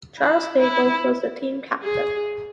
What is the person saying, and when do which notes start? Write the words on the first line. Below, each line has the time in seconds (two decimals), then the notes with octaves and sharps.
Charles Nagle was the team captain.
0.18 E4
0.59 E4
1.82 G#4